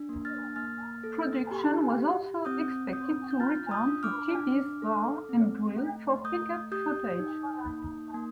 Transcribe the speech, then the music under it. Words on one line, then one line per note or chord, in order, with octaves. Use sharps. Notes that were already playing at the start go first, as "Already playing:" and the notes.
Production was also expected to return to Geebee's Bar and Grill for pick-up footage.
Already playing: D4
A#3
F6 A6
A#3 F6 A6
A4
G4
G4
C4 D#6 G6
C4 D#6 G6
G6
F4 F6 A6
D#6 G6
D4
D6 F6
D4
A4
C4
A3
A3 D#6 G6
G4 D#6 G6
D#4
A#3
A#3